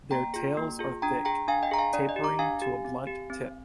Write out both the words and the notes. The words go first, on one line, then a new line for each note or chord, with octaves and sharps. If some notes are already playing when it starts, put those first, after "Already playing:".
Their tails are thick, tapering to a blunt tip.
A#3 G5 A#5
F4 G#4
A#3
F4 G#4
D4 G5 A#5
G#4 G5 A#5
D4 F5 G#5
D#5 G5
G#4 A#5
F5 G#5
D4 D5
D#5
G4
A#5 D6
D4 F5 G#5
G4
C4
G4
C4